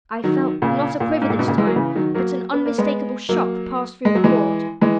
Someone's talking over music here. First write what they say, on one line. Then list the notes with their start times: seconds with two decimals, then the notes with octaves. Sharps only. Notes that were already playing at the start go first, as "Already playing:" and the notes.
I felt, not a quiver this time, but an unmistakable shock pass through the Horde.
0.24 D#3 F#3
0.62 A#2 C#3
1.00 A#2
1.21 G#2
1.30 A#2
1.39 G#2 B2
1.48 A#2 C#3
1.58 E3 G#3
1.67 F#3 A#3
1.76 C#3 E3
1.95 D#3 F#3
2.14 F#3 A#3
2.53 B3
2.66 A#3
2.78 G#3 B3
3.29 F#3 A#3
4.05 G#3
4.15 F#3
4.24 E3 G#3
4.81 E3 G#3